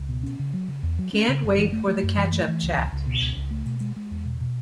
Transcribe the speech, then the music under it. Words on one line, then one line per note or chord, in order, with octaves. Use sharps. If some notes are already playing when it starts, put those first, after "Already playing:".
Can't wait for the catch-up chat!
Already playing: C#2
B2
C#4
C#3
F#3
C#3
E2
F#3
C#4
C#3
F#1
E3
A3
A3
F#2
E3
A3
E3
C#2
C#2
C#2
B2
C#2
C#2
A3
B2
G#3
G#3
E2
B2
B2